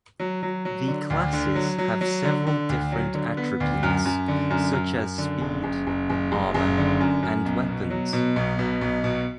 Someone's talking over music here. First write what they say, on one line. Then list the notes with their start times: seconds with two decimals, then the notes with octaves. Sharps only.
The classes have several different attributes, such as speed, armor and weapons.
0.20 F#3
0.43 F#3
0.65 F#3
0.87 D3
1.10 D2
1.33 D3
1.55 F#3
1.78 F#3
2.01 F#3
2.24 D3
2.47 D3
2.69 D2
2.92 F#3
3.14 D3
3.37 B3
3.60 D2
3.83 F#2
4.05 F#2
4.28 D3
4.50 F#2
4.73 F#2
4.96 F#2
5.18 D3
5.41 F#1
5.64 F#1
5.87 F#1
6.10 F#1
6.32 F#1
6.54 F#1
6.77 D3
7.00 F#2
7.23 F#2
7.45 B1
7.68 B2
7.90 F#3
8.13 B2
8.36 B1
8.59 B2
8.81 B1
9.04 B2